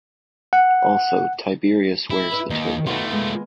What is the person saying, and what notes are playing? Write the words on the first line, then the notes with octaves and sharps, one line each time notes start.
Also, Tiberius wears the "toga".
F#5
E4
B4 E5
D#2 D#4
D#3 A3 B3 F4 F#4
G#3 A#3 B3